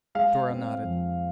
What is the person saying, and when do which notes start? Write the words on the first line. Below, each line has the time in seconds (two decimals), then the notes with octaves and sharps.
Dora nodded.
0.15 G#3 F5
0.50 C4
0.83 F2